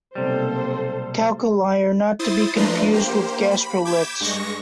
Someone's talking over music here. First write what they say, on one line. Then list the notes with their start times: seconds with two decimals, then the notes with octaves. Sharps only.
Calculi are not to be confused with gastroliths.
0.15 B1 C3 G3 A#3 A4 C5
2.19 E4 C5 D#6 A6
2.56 F3 A3 D4 B4 A#5 C6
2.92 A#3 G4 C5
3.51 B5
3.85 D6 G6 G#6 B6 E7
4.20 G2 G#3 C#6 A#6